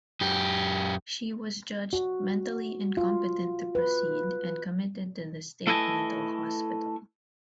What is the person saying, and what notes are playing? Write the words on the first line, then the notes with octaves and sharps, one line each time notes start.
She was judged "mentally incompetent to proceed" and committed to the state mental hospital.
F#2 G4
F#4
F4
B4
A3 E4 A4 B4 D#5 G#5